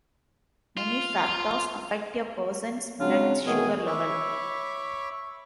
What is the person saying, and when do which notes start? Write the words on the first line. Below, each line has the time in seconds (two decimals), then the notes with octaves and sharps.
Many factors affect a person's blood sugar level.
0.77 F4
2.98 C#3 F#3 G#3 C4 D4 F4
3.45 B2 D#3 E3 A3 B3 G#4
3.87 C#5 E5 B5 C#6 D6